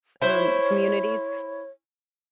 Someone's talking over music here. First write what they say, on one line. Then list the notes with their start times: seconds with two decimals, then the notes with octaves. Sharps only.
um, communities,
0.22 E4 C5 C#5